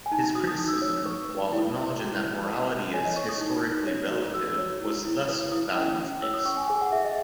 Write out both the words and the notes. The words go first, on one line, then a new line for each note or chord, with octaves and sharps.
His criticism, while acknowledging that morality is historically relative, was thus values-based.
G#5
D#4 A5
B5
F#4 D#6
D#6
D#4 D#6
E6
D#6
C#5
B4 C#6
B4
E4
E4
F#4 B5
B4
B4
B4
C#5 G#5
D#5
C#5 C#6
D#6
D#4
D#4
C#5
F#4
F#4 E6
C#5
E4
E4
B4 D#6
E4 D#6
C#4
C#4
C#5 E6
D#6
C#4 C#6
G#5
G#4 G#5
F#5
G#4 E5
D#5